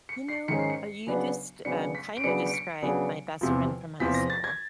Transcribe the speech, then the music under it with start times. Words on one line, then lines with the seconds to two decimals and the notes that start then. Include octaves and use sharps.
You know, uh you just, um, kinda described my best friend from high school.
0.09 C#7
0.28 C7
0.48 G#2 D#3 G#3 C#4 C#7
0.59 C7
0.70 C#7
1.07 C#3 F#3 B3 D4
1.65 C#3 F#3 B3 D4 C#7
1.95 B6
2.17 D7
2.24 C#3 F#3 B3 D4 C#7
2.46 D7
2.54 C#7
2.82 C#3 F#3 B3 D4
3.41 E2 C3 F3
4.00 E2 C3 F3 B6
4.14 A#6
4.30 A6
4.44 G#6